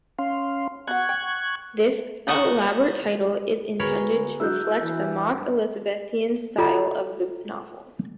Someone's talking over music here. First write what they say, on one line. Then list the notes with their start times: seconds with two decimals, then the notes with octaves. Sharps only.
This elaborate title is intended to reflect the mock-Elizabethan style of the novel.
0.19 C#4 F5 C6
0.87 B3 F#4 F#5 C#6 F#6 G#6
1.09 G5
2.28 D#4 D#5 F#5 A5 C#6
3.79 D2 B3 G#4 A#4 B4 C#5 B5
4.40 F#3 D4 E4 F#4 E6 F#6 G6
4.80 E3
5.33 G2
6.58 F4 A4 D5 D#5 A#5